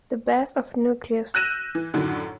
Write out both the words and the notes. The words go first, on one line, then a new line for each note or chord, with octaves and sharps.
The Best Of Newcleus.
E6 F#6 G6 A#6 D#7 E7
E3
F#2 A2 D3 D#3